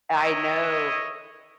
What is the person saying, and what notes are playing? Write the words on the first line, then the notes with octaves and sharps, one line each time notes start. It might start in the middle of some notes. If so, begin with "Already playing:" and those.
I know,
E4 C#5 D#5